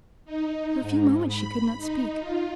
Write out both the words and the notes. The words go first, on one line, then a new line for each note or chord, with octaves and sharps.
For a few moments she could not speak.
D#4
G#2
B5
D#4
F4